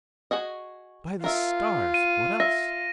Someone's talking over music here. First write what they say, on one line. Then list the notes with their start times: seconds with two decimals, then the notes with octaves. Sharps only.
By the stars, what else?
0.31 F#4 G#4 D#5
1.24 F4 A#4 E5
1.94 D#7
2.40 E5 A#6